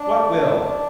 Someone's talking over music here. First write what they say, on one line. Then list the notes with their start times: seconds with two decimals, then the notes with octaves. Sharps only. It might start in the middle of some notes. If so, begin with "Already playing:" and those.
"What will?"
Already playing: D4
0.12 A3
0.37 D4
0.60 D4